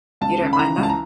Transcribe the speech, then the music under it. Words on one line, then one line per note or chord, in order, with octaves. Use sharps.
You don't mind that?
C#2 A5
C#3
B5
E3 A#5
C#2
A5
A#5